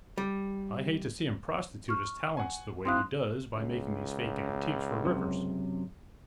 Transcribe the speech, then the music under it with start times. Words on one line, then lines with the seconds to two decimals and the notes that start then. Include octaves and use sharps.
I hate to see him prostitute his talents the way he does by making these fake antiques for Rivers.
0.17 G3
1.89 C#6 F6
2.37 F#5 G#5
2.85 C4 E4 F5 C6 D#6 F#6
3.55 C#2
5.05 F#2 C3